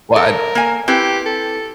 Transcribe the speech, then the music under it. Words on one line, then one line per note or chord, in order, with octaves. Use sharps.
Well, I
A4 A#4
A#3 G#5
C4 E4 G4 B4
A4